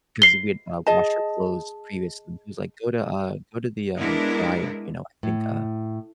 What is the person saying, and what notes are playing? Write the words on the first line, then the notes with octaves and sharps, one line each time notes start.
'cause we had, uh, washed our clothes previously. She was like, "Go to, uh go to the, um, dryer," you know, "I think, uh,
C7 G7
G#4 D#5 A5
G#3 B3 D4 E4 A#4
A2